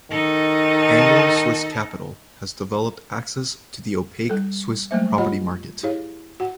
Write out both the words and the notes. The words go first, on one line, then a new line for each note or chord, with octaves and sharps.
Anglo Swiss Capital has developed access to the opaque Swiss property market.
D#3 D#4 A4
G3 A4
F#3 G3 A3 A#3 C5 E5
F4 G4 C#5 D#5 F#5 B5
E4 G4 G#4 C#5 F5
F#4 F#5